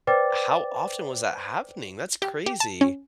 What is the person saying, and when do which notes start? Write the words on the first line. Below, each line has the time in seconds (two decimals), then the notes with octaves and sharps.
how often was that happening, that's crazy.
0.07 B4 C5 D5 G5 D6 A6
2.22 G4
2.46 G4
2.60 A5
2.81 C#4